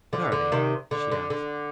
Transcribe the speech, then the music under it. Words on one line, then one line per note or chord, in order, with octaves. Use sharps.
"What are they?" she asked.
D3
D3
C3 D#3
D3
D3
D3